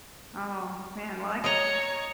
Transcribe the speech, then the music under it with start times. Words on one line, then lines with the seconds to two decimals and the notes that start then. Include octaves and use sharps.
Oh man, well, I g
1.44 C#5 D#5 A#5